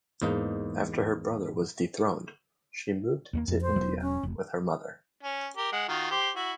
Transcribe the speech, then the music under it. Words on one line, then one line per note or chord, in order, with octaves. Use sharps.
After her brother was dethroned, she moved to India with her mother.
E2 G#2 A#3 D#4
D#2 G3 A#3
F2
C5
E1 F#3 B3
C#4
F1
C#4
G4 A#4
G#3 F#5
D#3 F4 F#4
G4 C5
E4 F#4